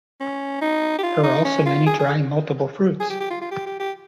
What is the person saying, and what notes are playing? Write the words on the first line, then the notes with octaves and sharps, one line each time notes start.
There are also many dry multiple fruits.
C#4
D#4
G4
F4
D#4
C#4
F4
G#4
G#4
G#4
G4
G4
F4
F4
G4
G4
G4